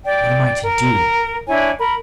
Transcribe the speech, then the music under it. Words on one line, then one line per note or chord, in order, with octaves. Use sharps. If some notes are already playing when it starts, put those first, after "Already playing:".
"What am I to do?"
D5 G5
A#4
D4 E4 C#5 G#5
A#4 B5